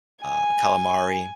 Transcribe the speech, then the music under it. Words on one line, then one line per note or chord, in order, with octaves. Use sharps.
uh, calamari.
G#5